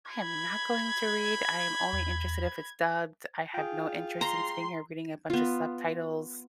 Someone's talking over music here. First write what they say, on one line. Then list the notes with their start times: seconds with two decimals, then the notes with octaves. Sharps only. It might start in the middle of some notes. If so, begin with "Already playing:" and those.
"I am not going to read, I am only interested if it’s dubbed, I have no interest in sitting here reading a bunch of subtitles,"
0.11 B5 G#6
1.93 E2
3.54 F4 G#4 G5
4.21 A#5 C6
5.30 B3 F4